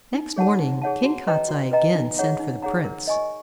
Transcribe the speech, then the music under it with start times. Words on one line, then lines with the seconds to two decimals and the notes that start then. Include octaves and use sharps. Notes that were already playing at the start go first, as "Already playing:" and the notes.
Next morning King Kostiei again sent for the prince.
0.14 D#4
0.37 G#4 C#5 F#5 A5
0.59 D#4
0.82 G#4 C#5 F#5 A5
1.04 F#4
1.27 B4 D#5 G5 A#5
1.49 F#4
1.72 B4 D#5 G5 A#5
1.95 D#4
2.17 G#4 C#5 F#5 A#5
2.40 D#4
2.62 G#4 C#5 F#5 A#5
2.85 A#4
3.07 D#5 G#5 C#6